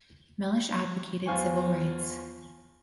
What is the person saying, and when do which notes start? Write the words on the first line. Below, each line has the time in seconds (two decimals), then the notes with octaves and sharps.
Melish advocated civil rights.
1.26 E2 F3 F4 C5 G#5 C#6